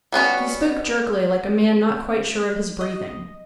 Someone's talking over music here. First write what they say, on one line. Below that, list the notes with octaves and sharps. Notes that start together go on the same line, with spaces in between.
He spoke jerkily, like a man not quite sure of his breathing.
G3 B3 C#4 F#4
D#5